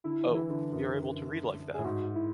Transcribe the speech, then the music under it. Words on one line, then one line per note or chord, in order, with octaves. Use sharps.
Oh! We are able to read like that!
D3 E4
E3
E4
D3
F#2
A2 G#4
G#2 F#4
E4